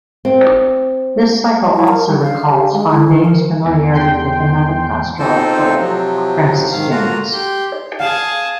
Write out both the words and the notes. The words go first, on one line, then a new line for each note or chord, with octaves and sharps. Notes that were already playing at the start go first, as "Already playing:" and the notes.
The cycle also recalls Fondane's familiarity with another pastoral poet, Francis Jammes.
C4
F#3
E4
A#4
G3
F5
G4
G#3
E4
D#3
A#4
E2
G5 C6 G6
C4 D#4 F4 A4 C5
C3 F3 F#3
G#2 D#3 F5
D3 A#3 F4 F#4 A#5
G4 C6
G#4 F5 A5